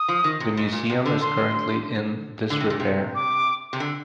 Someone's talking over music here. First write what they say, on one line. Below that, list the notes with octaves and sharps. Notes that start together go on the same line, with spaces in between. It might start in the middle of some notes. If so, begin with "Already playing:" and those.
The museum is currently in disrepair.
Already playing: D#6
F3
D#3
C3
G#2
A#2
C3
D3
D3 C6
D3
C3
A#2
C3
D6
C3
D3